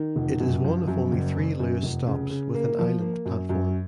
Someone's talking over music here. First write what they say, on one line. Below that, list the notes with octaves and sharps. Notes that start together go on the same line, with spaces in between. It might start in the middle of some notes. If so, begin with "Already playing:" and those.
It is one of only three Luas stops with an island platform.
Already playing: D#3
F1
F#2
F3
F#2
F#1
F#1
F#2
F1
C#3
C#3
A#3
F3
A#3
F#2
F#2